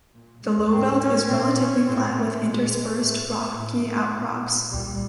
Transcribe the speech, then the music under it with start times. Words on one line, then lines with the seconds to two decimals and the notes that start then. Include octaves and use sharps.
The Lowveld is relatively flat with interspersed rocky outcrops.
0.14 A#2
0.42 G#3
0.71 A2 C4
1.00 C#4
1.28 A#2 C4
1.57 C#4
1.85 A2 C4
2.13 A3
2.41 A#2 G#3
2.71 G#3
2.99 A2 A3
3.55 A2
3.85 A3
4.13 A#2
4.70 A#2 G3